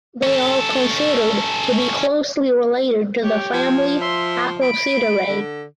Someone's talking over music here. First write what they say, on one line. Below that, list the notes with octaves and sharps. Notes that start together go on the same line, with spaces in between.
They are considered to be closely related to the family Acroceridae.
C#4 A4
G4 C#5 G5
F3 G#6
E5 C6
B5 D7
D3